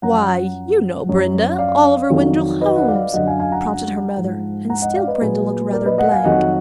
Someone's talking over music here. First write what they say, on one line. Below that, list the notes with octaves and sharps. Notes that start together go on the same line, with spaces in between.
"Why, you know, Brenda, Oliver Wendell Holmes?" prompted her mother, and still Brenda looked rather blank.
F#2 F3 F#5 A#5
F#2 F3
D5 F5
F2 D#3 F#3
B4 D#5
F#5
D5 F5
F#2 D3 F#3 D#5 F#5
F5 G#5
F5 G#5
F#5 A#5
G#2 F3
F#5 A#5
D#5 F#5
D5 F5
B4 D#5
A#2 F#3 G#4 B4
A#4 D5
B4 D#5
D#5 F#5
F5 G#5
F2 D#3 F#3 D#5 F#5